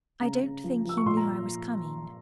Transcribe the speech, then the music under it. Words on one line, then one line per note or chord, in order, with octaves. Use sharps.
"I don't think he knew I was coming."
C#3 A#5
C#3
F3
F3 E6
C#6
A#2 C6
A#5